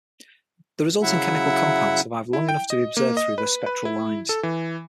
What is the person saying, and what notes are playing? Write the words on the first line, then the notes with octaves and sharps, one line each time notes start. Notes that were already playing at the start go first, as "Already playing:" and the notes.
The resulting chemical compounds survive long enough to be observed through their spectral lines.
C#3 F#3 E4 E5 F#5
E4
G5
D#5
A#3
D#5
B4
B4
E4
A4
E3